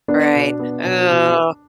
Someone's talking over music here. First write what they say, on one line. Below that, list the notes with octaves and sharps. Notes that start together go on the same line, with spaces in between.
Right. Ooh.
B3 D4
B2
B3
B2
B2